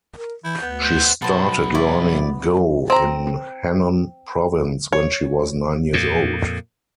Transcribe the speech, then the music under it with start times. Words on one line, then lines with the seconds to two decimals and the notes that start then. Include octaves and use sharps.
She started learning Go in Henan province when she was nine years old.
0.16 A#4
0.44 E3 E4 G6
0.61 D2 B3
0.83 C5 F#5 G6
1.22 B2 F#3 B3 C5 A5
1.75 E4 D5
2.90 C4 A#5
4.92 C#5
5.93 F2 A#2